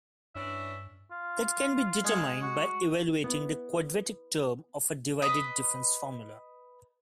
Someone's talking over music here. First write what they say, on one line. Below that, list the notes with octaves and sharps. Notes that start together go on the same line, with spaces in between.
That can be determined by evaluating the quadratic term of a divided difference formula.
G2 E3 C#4 D4 E5
F4
G#3 G#4 F#5
F#4
B3 E4
B4 D#5 B5